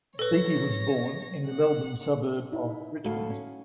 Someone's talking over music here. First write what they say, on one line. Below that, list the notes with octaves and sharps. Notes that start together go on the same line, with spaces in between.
Beattie was born in the Melbourne suburb of Richmond.
A4 B4 C#5 A#6
F#5
D#4 E4
D2 A2 F#4 A4 F5
C#4